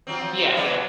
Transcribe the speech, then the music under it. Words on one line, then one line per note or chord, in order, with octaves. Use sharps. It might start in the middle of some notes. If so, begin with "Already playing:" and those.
Yeah, yeah.
F3 F#3 C4
B2 F#3 D5